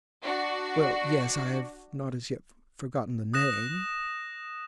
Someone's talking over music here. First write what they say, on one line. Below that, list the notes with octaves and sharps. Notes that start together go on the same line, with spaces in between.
"Well, yes; I have not as yet forgotten the name."
D4 F#4
D#6 F#6 A#6 E7